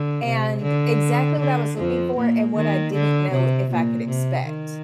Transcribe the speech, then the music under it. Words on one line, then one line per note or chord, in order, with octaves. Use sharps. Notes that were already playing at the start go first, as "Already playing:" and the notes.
and exactly what I was looking for, and what I didn't know if I could expect.
Already playing: D3
C3
D3
D3
F2 F3
A#2 A#3
D#3
D3
C3
A#2
C3
D#3